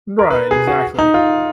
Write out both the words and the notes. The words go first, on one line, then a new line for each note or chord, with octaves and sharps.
Right. Exactly.
A#4
B4
G#4
F#4
D#4
F4